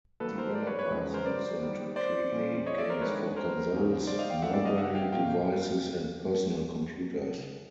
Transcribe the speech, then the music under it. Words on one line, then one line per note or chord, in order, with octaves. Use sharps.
Developers use them to create games for consoles, mobile devices and personal computers.
D#3 F#3 A#3 A4 B4
A#4 C5
C5 D5
B4 C#5
B4 C#5
E2 C#3 F3 G#3
A#4 C5
C5 D5
D#3 G3 B3
C5 D5
A#2 G3 A#3 C#4
C#5 D#5
D5 E5
A#4 C5
D#3 G#3 B3 D4 B4 C#5
A#4 C5
E2 C#3 F#3 A#3 D#4
C5 D5
D#5 F5
F5 G5
F#2 C#3 F3 A3 E5 F#5
D5 E5
D#5 F5
E5 F#5
F5 G5
A#2 F#3 A#3 F5 G5